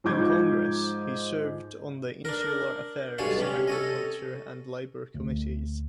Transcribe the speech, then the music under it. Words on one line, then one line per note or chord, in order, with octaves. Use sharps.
In Congress, he served on the Insular Affairs, Agriculture, and Labor committees.
G#2 F3 F4 D6 G6 G#6
D4 A#4
B1 G2 G#3 G#4 C#5 A5
C3 C#4
A4 C#5 D#5
D2